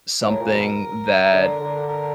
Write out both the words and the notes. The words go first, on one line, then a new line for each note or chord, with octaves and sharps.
something that
G#2
A2 A#4
A#2
B2
D3
D3
A#4